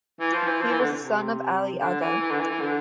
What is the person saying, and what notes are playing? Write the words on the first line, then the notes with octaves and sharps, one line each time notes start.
He was the son of Ali Aga.
E3
F3
E3
F3
E3
D3
C3
D3
E3
E3
D3
E3
E3
D3